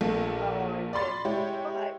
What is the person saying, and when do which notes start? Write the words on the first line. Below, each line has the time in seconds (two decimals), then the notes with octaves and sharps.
Oh, and and but
0.01 A#1 A#2 A4
0.93 D5 B5 C6 A6
1.25 G#3 E4 G4 C#5